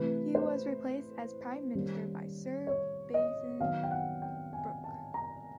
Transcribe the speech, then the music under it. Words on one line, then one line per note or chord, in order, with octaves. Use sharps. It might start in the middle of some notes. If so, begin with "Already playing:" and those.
He was replaced as Prime Minister by Sir Basil Brooke.
Already playing: C3 E3 A3 B4
C5
D#3 G3 A#3 C#4
C#5
D#5
D#3 F#3 B3 F5
G5
F#5
G5
G#5
A5
A#5